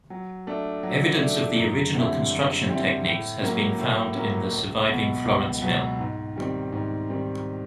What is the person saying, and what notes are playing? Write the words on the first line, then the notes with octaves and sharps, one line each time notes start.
Evidence of the original construction techniques has been found in the surviving Florence Mill.
F#3
A3 D4
F#3
A3 D4
F#2
D3 G3 C4 E4
F#2
D3 G3 C4 E4
A2
F#3 A#3 C#4
A2
F#3 A#3 C#4
C#2
B2 F#3 B3
C#2
B2 F#3 B3
G#2
D#3 G3 C4
G#2
D#3 G3 C4